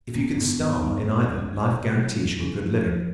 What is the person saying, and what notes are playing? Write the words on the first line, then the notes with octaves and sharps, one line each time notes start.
If you can star in either, life guarantees you a good living.
A#2 B3
G#2 B3
F#2 B3
G2 D#4
G#2 C4
G#3
F#2
G#3
C3 F#3
F#3
F#3
C#3 E4
F3
F3